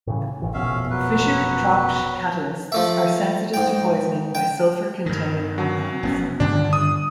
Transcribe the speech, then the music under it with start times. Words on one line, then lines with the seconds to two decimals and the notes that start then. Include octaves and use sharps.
Fischer-Tropsch catalysts are sensitive to poisoning by sulfur-containing compounds.
0.07 A2 C#3 E3
0.42 A1 E3
0.54 F1 A#1 B2 C#4 E5 F5
0.90 F#3 B4
2.72 F3 A3 E5
3.54 G#2 G5
4.35 G5
5.06 G2 D#3
5.58 F#3
6.03 F1 B3 C#4
6.40 G2 D3 D#3 D4
6.73 D#6